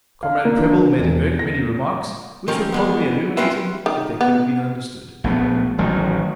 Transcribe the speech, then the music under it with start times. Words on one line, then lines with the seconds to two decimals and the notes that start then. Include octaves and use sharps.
Comrade Prebble made a great many remarks, which were probably illuminating, if they could have been understood.
0.23 F5
0.45 A#3
0.58 D4
0.98 E1
1.39 A#6
2.48 D#3 F3 A3 C#4 G4 A#4
2.72 F2 G#3 B3
3.37 C4 C#4 E4 F4 B4 E5
3.86 D#3
4.21 B3
5.24 A#1 A3 B3
5.78 A1 D#3 F#3 A3